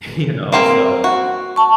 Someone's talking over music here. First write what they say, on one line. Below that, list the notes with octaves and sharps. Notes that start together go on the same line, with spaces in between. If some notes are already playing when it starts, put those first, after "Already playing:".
you know? So,
A#3 C4 A#4
F#4
A5 C#6